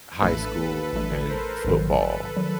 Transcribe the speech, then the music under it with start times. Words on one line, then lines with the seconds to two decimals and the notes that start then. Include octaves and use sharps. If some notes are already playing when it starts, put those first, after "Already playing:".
high school and football,
0.22 A1 A2 E3 A3 D4 A4 B4
0.93 A1 A2 E3 A3 D4 A4 B4
1.29 A#4 C5
1.65 A1 G#2 D#3 F#3
2.00 A4 B4
2.37 D#3 F#3